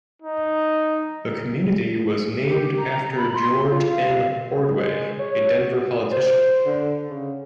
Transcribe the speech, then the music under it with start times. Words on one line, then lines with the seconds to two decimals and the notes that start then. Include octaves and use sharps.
The community was named after George N. Ordway, a Denver politician.
0.22 D#4
2.46 G4
2.78 A#5
3.17 B5
3.34 C6
3.70 F4
3.91 F5
4.75 G#3
5.20 C#5
5.57 F#4
6.12 C5
6.66 D3
7.09 C#3